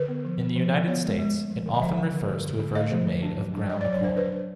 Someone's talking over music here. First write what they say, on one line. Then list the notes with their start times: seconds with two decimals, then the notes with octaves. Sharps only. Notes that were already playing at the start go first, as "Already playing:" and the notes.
In the United States, it often refers to a version made of ground corn.
Already playing: D3 B4
0.08 B3
0.25 F3
0.40 B3
0.56 F3
0.72 D3
0.87 B3 C#5
1.03 G#3
1.19 G#3
1.34 A3
1.50 F3
1.66 D3
1.74 D#5
1.81 F3 E5
1.97 D3
2.13 D3
2.28 D3
2.44 D3
2.60 D3
2.75 A3 D#5
2.91 F3
3.07 D3
3.23 D4
3.38 F#3
3.54 D4
3.69 D4 D#5
3.81 F#3 D5
3.93 C#5
4.01 D4 C5
4.16 D4 B4
4.32 D4